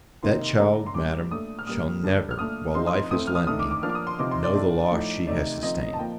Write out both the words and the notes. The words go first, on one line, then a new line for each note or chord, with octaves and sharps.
That child, Madam, shall never, while life is lent me, know the loss she has sustained.
C3 D#3 A#3 D#4 C6
D3 A3 D4 A#5
C6
A#2 G3 D4 D6
A#2 A3 D4 D#6
F6
A#2 G3 A#3 D#6
D3 G3 D4
F6
A#2 A3 D4 D#6
F3 C4 D#4 C6
D#6
A2 A3 C4 D#6
F6
D#6
D#3 A3 D4 D#6
D6
D6
F3 A#3 D4 F6
D6
D#6
C6
C3 F3 C4 D#4 D6
C6
D5
A2 A3 D4
A2 F3 A3 D#4
C3 D#3 A3 D#4 D5
F3 A3 C4 D#4 D#5
A5
A#2 F3 A#3 G5